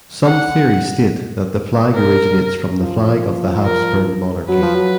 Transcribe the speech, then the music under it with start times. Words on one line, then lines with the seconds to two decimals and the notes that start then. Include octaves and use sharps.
Some theories state that the flag originates from the flag of the Habsburg Monarchy.
0.25 F#5
1.94 A#4
2.80 F3
3.64 A#4
4.49 F#3 B4
4.62 F3
4.75 F#3